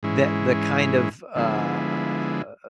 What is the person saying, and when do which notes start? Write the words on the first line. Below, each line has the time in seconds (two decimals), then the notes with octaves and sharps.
that the kind of, u uh,
0.03 G#2 E3 G#3 C#4 E4
1.35 D3 F3 G#3 B3 E4